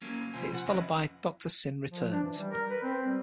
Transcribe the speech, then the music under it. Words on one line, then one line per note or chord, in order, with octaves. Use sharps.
It is followed by "Doctor Syn Returns".
F#3 A#3 C#4
C3 F3 F4 C5 G#5
F#5
F2 F3 C#4 E4 B4 D#5
F3
D4
E3
G3
A#4
B4
C4
G3